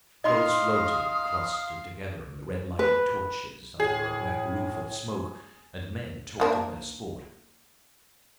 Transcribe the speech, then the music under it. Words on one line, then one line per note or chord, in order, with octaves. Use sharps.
The boats floated, clustered together, in the red light of torches, under a black roof of smoke; and men talked of their sport.
D#4 D#5 F5 C6 D#6 F6
B4
A2 G#4
D#3 A#3 D4